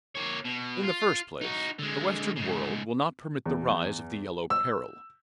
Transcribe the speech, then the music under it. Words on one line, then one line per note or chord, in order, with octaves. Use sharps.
In the first place, the Western world will not permit the rise of the yellow peril.
A#3 C#5
B2
F4
D#4 F#4
D3 G#3
G#2 C#3
E2
E6